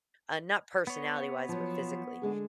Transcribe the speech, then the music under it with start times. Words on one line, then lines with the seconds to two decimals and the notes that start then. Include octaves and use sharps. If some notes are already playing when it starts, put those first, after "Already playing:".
Uh, not personality-wise, but physically.
0.87 B3 C#5
1.49 F3 F#3
2.22 D3 G#3 G#4